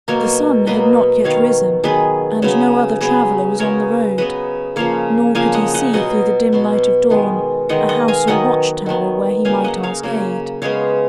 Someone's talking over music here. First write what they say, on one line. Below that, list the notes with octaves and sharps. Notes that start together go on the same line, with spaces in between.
The sun had not yet risen and no other traveler was on the road, nor could he see through the dim light of dawn a house or watch-tower where he might ask aid.
B2 F#3 A#3 A#4 C#5
B2 F#3 A#3 B4 D#5
D#3 F#3 B3 C#5 F5
D#3 F#3 B3 G#4 B4
C#3 F#3 B3
C#3 F#3 B3 G#4 B4
C#3 F#3 B3 A#4 C#5
C#3 F#3 B3 B4 D#5
C#3 F3 A#3 C#5 F5
C#3 F3 A#3 F5 G#5
D#5 F#5
D#5 F#5
B2 F#3 B3 D#5 F#5
B2 F#3 B3
D#3 G#3 B3
D#3 G#3 B3 D#5 F#5
D#5 F#5
F5 G#5
D#3 F#3 B3 D#5 F#5
D#3 F#3 B3
C#3 F#3 A#3 F5 G#5
D#5 F#5
C#5 F5
C#3 F#3 A#3
C#3 G#3 B3 C#5 F5